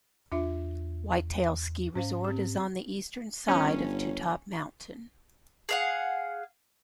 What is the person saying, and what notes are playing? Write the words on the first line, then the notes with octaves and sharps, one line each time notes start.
Whitetail Ski Resort is on the eastern side of Two Top Mountain.
E2 D4 F4 E5
G#2 C#4 C5 F5
C4 G4
G1 C#4
G#4 F5 F#5